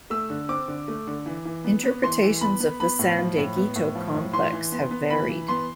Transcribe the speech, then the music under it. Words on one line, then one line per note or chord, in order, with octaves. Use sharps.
Interpretations of the San Dieguito Complex have varied.
A3 E6
D3
C4 D6
D3
A3
D3
E3
E3
B3
B3
E3 C6
E3
B3 B5
B3
B3 B5
A2
F3
A2
B3
A2
F3
A2
E3 C6
E3
B3
B3
E3 B5
E3
B3 C6